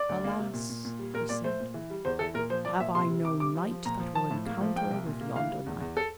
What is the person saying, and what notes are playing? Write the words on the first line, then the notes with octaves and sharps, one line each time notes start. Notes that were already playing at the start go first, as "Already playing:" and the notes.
Alas, he said, have I no knight that will encounter with yonder knight?
Already playing: D5
D2
A#3
C3
A#2
A#2
A#2
G3
A#2 A#4
A#2 D5
A3 C5
A#2
E3
G3
E2 C5
E3 A4
A#2 A#4
F3 C5
F3 D5
A#2 E5
C3 C6
G3
C3 D6
G3 D6
F3
F3
A#2 A#5
F3
F3 A5
A2
A#3
F3
A#3 G5
C2
A#2
A#3
E3 F5
G3
E2
E2
A4